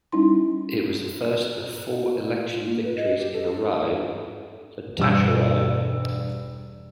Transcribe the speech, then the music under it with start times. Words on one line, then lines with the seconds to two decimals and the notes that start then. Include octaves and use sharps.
It was the first of four election victories in a row for Taschereau.
0.12 G3 C#4 D#4 E4 C6
2.50 F4
2.65 A#3
2.84 B4
2.97 D#5
3.18 G4
3.33 A4
4.97 E1 G2 E6